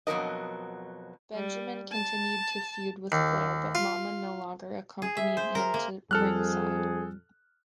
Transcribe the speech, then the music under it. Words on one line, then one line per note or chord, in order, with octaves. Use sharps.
Benjamin continued to feud with Flair, but Momma no longer accompanied him to ringside.
F2 B2 F#3 A#4 D#5
G3
A5
D#2
F4
G#4
E5
C5
A#4
A#3
F2 G3 G#4 A4 F6 F#6